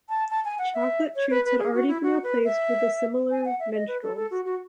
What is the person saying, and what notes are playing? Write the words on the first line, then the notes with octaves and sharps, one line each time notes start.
Chocolate Treets had already been replaced with the similar Minstrels.
A5
A5
G#5
F#5
E5
C#5
B4
B4
G#4
F#4
E4
F#4
B4
E5
G#5
F#5
E5
D#5
B4
A4
A4
F#4
F#4